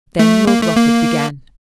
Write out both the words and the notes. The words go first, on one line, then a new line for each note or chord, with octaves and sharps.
Then Lord Rufford began.
A3
A#3
A3
A#3